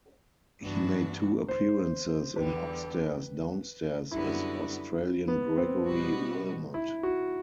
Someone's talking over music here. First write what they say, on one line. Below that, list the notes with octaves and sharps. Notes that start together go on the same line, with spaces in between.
He made two appearances in "Upstairs, Downstairs" as Australian Gregory Wilmot.
G2 E3 B3 D4 F#4
C5
E2 D3 G3 B4
F#2 D3 G3 B3 E4 F#4
B3
C4
B2 G3 B3 F#4
E4
F#4